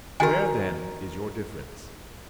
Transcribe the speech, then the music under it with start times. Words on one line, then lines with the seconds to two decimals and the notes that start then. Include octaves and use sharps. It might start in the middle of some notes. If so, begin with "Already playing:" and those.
Where, then, is your difference?
0.20 D#3 F#4 A#4 G#5